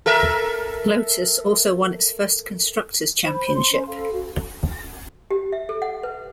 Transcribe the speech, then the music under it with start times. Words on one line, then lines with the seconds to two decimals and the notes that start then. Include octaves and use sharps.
Lotus also won its first constructors' championship.
0.06 A4 A#4 E5
3.24 C5 B5
3.55 C6
3.72 C#4 C5 C6
3.87 A4 F5
4.12 F#4
5.31 G4
5.52 E5
5.69 A4
5.82 F#5
6.03 B4